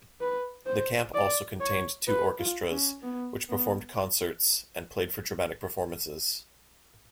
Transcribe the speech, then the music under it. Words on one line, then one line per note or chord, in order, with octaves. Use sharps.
The camp also contained two orchestras' which performed concerts and played for dramatic performances.
B4
C5
D5
C#5
B4
F4
C#4
B3
B3